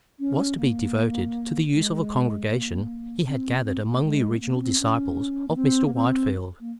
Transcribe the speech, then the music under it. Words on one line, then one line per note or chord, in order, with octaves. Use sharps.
It was to be devoted to the use of a congregation he had gathered among the original disciples of Mr. Whitefield.
C#4
A#3
G#3
A#3
C4
C4
A#3
G#3
C4
A#3
C#4
C4
C#4
A#3
C4
A#3
C4
A#3